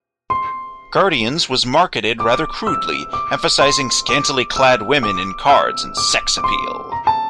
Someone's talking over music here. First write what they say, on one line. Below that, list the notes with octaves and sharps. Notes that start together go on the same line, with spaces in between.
Guardians was marketed rather crudely, emphasizing scantily-clad women in cards and sex appeal.
C6
D6
E6
D6
C6
D6
E6
D6
E6
D6
D6
C6
A#5
A5